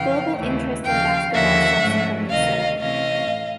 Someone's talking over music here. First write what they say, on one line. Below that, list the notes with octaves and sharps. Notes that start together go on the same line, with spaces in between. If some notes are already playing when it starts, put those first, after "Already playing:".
Global interest in basketball subsequently soared.
Already playing: F2 C#3 E3 F5 G5
D#2 C#3 E3 A3
D#2 C#3 F3 F5 G5
D#2 D3 F3 A#3 C#4 E5 F#5
G#2 F3 A3 C#4
D2 C3 D#3 D#5 F5
C3 E3 A3 C#4 D#5 F5
A2